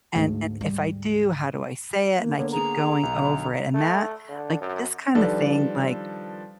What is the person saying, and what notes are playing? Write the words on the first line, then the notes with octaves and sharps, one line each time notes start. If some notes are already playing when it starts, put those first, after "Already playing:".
and and if I do, how do I say it?" And I keep going over it, and that like, this kinda thing, like,
D2 G#2 D3 A3
G3
A#3
D3 A#3 B3 C#5
G#4 A#5
B1
D3
A3
D3
F#2
D#3 F3 G3 D4 A4 B4